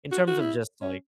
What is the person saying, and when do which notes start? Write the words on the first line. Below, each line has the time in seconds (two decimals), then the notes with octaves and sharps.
in terms of just like
0.11 F#4
0.27 F#4
0.40 E4
0.81 C#4